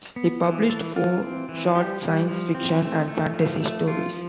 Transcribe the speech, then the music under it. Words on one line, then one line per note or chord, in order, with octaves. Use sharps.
He published four short science fiction and fantasy stories.
B3
E3
E3 A4
E3 F4
C4
E3
G3 G4
G3
F3
C4
A3
A3
F3
A3
F3 F4
F3